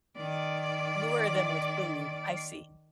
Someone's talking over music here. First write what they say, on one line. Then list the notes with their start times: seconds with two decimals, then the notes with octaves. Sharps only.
Lure them with food, I see.
0.17 D#3 D5